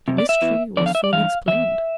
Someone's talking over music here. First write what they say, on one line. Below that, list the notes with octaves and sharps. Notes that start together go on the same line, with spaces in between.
The mystery was soon explained.
F2 C3
D5
E5
E2 E3
E2 D3 F3 D5
F5
E5
D5
G2 E3 F5
E2 E3 E5